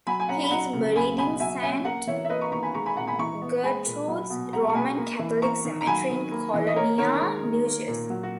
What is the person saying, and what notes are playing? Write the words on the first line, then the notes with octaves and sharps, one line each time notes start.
He is buried in Saint Gertrude's Roman Catholic Cemetery in Colonia, New Jersey.
F#3 G#5 B5
G#5
C#4 F#5 A#5
B5
F#3 F#5 A#5
C#3
F#3 G#5 B5
B2 G#5 B5
F#3 E5 G#5
C#4 E5 G#5
A#3 F#5 A#5
E3 C#5 E5
E5
A#3 B4 D#5
A#5 C#6
D#3 A#5 C#6
G#5 B5
G#3 A#5 C#6
G#5 B5
A#2 F#5 A#5
G#5 B5
E3 A#5 C#6
B3
G#3 G#5 B5
A#2
F#3
B2
G#3 F#5 A#5
C#6
B2 G#5 B5
A#3
E3
A#3 A#5 C#6
D#3
A#5
F#3 G#5 B5
D#3
A#3
E3
D#5
A#3 A#4 C#5
D#3 A#4 C#5
G#3
D#3
A#3
A#2
F#3
F#4